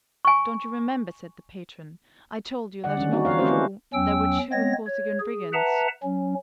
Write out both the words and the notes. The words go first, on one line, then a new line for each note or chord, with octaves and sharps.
"Don't you remember," said the patron, "I told you that among the crew there were two Corsican brigands?"
G#5 C#6
D3 G3 D5 F#5
D#3 G3 G#3 C#4
G3 A#3 C4 D#4 F#4
E3 F4 C#5 F5
A3 C4 C#4 F#4 G4 C5
E4
E2 F#3 C#4 G5 E6
G#3 B3 C4 C#5 A#6
C#5
G#4
B4 E5 F#5 A5 A#5
F#3 C#4